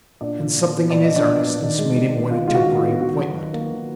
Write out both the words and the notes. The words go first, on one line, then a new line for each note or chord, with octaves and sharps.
And something in his earnestness made him win a temporary appointment.
A#2 D4 D5
F3
A#2
B3
A#2 D5
F3 D#5
D4 D5
A#2
B3
D#3
G#3
D#3
B3
D#3 F4
G#3 F4
F#4
D#3
F4
B3
D#3 F#4
F#3
D#3
A#3
D#3